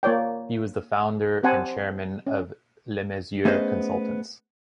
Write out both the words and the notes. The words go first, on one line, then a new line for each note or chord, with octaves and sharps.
He was the founder and chairman of LeMessurier Consultants.
A#3 F4 C#5 D5 G5
C4 G4 C5 F#5 G#5 A5
C#4
A3 B3 C#4 G#4 C5 D#5